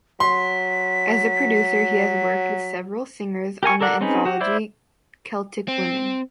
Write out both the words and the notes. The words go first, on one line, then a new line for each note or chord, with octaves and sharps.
As a producer, he has worked with several singers on the anthology "Celtic Woman".
F#3 C6 B6
G4 A#4 G#5 C#6
A4 A#4 D5 F#5
C4 C#4 D#4 G#4 B4
F#4 G4
E4 C5 D5 E5
C4